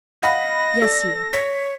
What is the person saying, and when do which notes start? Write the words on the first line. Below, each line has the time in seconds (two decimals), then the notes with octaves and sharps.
"Yes, you."
0.23 D#5 F5 F#5 B5 A#6
0.82 A4 D5
1.33 C#5 B6